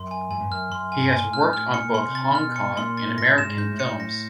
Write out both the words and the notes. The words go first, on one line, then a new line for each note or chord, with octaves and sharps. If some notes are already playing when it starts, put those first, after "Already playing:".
He has worked on both Hong Kong and American films.
Already playing: F#2 C6
G#5
F#2 G#5
G2
F#2 F6
F#2 C6
G#5
G2
A#2 G#5
A2
F6
A2 F6
C#7
A#2
C6
C3
A6
C3
B2 F6
C#7
A#2 C6
A6
A2 A#6
A2 E7
G#2
G6
A2
C#7
A#6